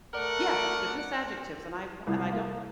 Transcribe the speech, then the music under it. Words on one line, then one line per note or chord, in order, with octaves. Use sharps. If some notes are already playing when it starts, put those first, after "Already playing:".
Yeah. They're just adjectives, and I wa and I don't
A3 A#4 D5 F#5
C2
A#3